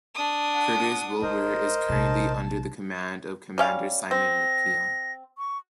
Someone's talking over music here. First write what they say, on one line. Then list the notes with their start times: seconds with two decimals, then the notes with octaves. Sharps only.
"Curtis Wilbur" is currently under the command of Commander Simon McKeon.
0.15 D4 D#6
0.54 F#5
1.22 G#1 A#4 C5 D#5
1.89 A#1 C3 A5
3.58 G3 C#4 F5
4.11 C4 A#6
5.38 C#6